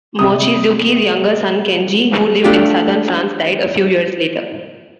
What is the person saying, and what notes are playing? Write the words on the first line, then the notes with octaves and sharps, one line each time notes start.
Mochizuki's younger son Kenji, who lived in southern France, died a few years later.
C3 D#6
A3 D4 F4 G4